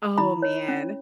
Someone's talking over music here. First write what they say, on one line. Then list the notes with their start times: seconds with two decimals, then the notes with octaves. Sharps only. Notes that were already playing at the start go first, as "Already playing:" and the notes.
Oh, man.
0.18 E4 B5
0.42 C#5
0.68 C#4